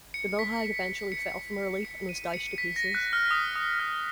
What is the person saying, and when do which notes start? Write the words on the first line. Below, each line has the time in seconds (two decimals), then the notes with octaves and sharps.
The mill hag eventually fell from her leap and was dashed to pieces.
0.14 C#7
0.39 B6
1.12 C#7
1.85 C#7
2.09 D#7
2.34 C#7
2.58 B6
2.76 A#6
2.95 F#6
3.13 F6
3.31 D#6
3.56 D#6
3.80 F6